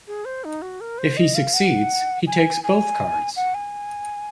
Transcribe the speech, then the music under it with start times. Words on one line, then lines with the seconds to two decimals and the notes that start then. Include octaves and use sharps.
If he succeeds, he takes both cards.
0.07 G#4
0.25 C5
0.44 D#4
0.62 F#4
0.81 A#4
0.99 C5
1.17 D#5
1.35 F5
1.53 F#5
2.27 G#5
2.64 G#5
3.36 F#5
3.54 G#5